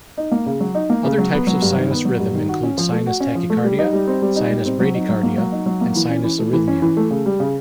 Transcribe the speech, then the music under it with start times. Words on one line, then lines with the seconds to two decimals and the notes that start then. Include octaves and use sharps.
Other types of sinus rhythm include sinus tachycardia, sinus bradycardia and sinus arrhythmia.
0.18 D#4
0.32 A#3
0.46 C#3
0.60 F#3
0.75 D#4
0.90 A#3
1.04 C#3
1.18 F#3
1.33 B3
1.47 F#3
1.62 G2
1.76 D#3
1.91 B3
2.05 F#3
2.20 G2
2.34 D#3
2.49 F#4
2.63 C#4
2.78 F3
2.92 A3
3.07 F#4
3.20 C#4
3.35 F3
3.50 A3
3.64 G3
3.79 D#4
3.93 G3
4.07 C4
4.22 G3
4.36 D#4
4.51 G3
4.66 C4
4.80 F#3
4.94 D#4
5.09 F#3
5.23 A#3
5.38 F#3
5.52 D#4
5.66 F#3
5.81 A#3
5.95 E3
6.09 C#4
6.24 E3
6.39 A3
6.53 E3
6.68 C#4
6.82 E3
6.97 A3
7.11 C#3
7.26 G3
7.40 C#3